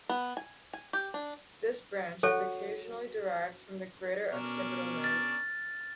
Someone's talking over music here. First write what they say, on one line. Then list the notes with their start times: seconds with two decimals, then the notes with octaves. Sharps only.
This branch is occasionally derived from the greater occipital nerve.
0.09 B3
0.37 G#5
0.73 G#5
0.93 G4
1.14 D4
2.23 F#4 A4 C#5
4.33 B2 C#4 D4 A#4
5.04 F6 A6